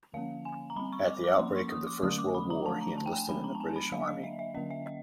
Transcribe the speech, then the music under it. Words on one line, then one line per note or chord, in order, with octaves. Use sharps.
At the outbreak of the First World War he enlisted in the British Army.
D3 F3 A#3 C#4 F5
G#5
A#5
G3 C4 B5
C#6
D6
D6
F3 A#3 C#4 C6
C#6
D#6
D6
D3 F#3 A3 C#4 D#6
D6
B5
A#5
F3 A3 D4 A5
A#5
A5
G5
G#5
F3 G#3 B3 D4 B5
A#5
A5
G#5
B5
D3 F#3 A#3 D4 F5
D#5
E5
E5
D3 F#3 A#3 C#4 D#5
E5
D#5